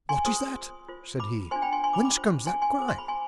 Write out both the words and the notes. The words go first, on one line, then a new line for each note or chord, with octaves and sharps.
"What is that?" said he; "whence comes that cry?"
G#5 C6
F4 G#4 C5 C6 D#6
F4 C5
B5 D6
D4 F4 C5 G#5 C6
G5 B5
G#5 C6
G#5 C6
B5 D6
B5 D6
F4 C5
G#5 C6
G#5 C6
F4 G#4 C5 D6
C6
B5
G#5 C6